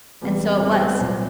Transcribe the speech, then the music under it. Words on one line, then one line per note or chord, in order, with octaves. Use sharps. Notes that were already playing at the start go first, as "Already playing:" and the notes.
And so it was.'
E2 C3 E3 G3
E2 C3 E3 G3 A4
C5
B4
B4
C2 A#2 F#3 C5